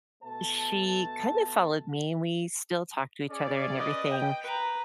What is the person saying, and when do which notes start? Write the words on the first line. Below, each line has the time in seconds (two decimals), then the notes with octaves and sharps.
she kind of followed me, and we still talk to each other and everything,
0.23 B2 A3 B4 A5
3.30 C#4 G#4 D5
3.77 B4 D#5
4.11 G5
4.44 B4 A#5